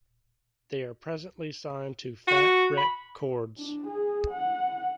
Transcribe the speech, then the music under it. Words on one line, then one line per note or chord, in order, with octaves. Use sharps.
They are presently signed to Fat Wreck Chords.
F#4
B5
D4
G#4
F#5